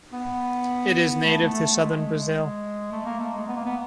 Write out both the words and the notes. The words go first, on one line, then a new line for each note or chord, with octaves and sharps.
It is native to southern Brazil.
B3
A3
A3
A3
G#3
A3
A#3
A3
G#3
B3
A#3
B3